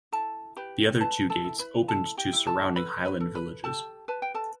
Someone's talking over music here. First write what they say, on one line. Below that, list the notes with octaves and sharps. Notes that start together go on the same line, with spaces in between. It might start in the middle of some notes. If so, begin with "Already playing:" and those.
The other two gates opened to surrounding highland villages.
E4 A4 A5
G4 B4 B5
A4 B4 A5
A4 A5
E4
B4 B5
E4 A4 A5
G4 G5
E4
A4 A5
A4 B4 B5
B4 B5
A4
B4 B5
G4 A4 A5
B4 A5
G5
A4 A5